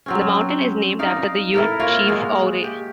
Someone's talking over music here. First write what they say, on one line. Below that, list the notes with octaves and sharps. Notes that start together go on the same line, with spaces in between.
The mountain is named after the Ute Chief Ouray.
F#3 C4 C#4
D#4 D5 F5
E4 A4 A#4
A#3 F4 A#4 C#5
G#3 F#4
G4